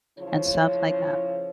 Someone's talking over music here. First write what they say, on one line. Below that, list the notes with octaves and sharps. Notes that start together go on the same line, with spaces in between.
and stuff like that.
C#3 F3 E4 C#5